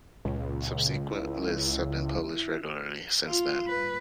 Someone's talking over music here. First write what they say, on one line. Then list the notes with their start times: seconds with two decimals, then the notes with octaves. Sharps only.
Subsequent lists have been published regularly since then.
0.25 C#2 A#2
1.11 E4
3.27 F4
3.68 B4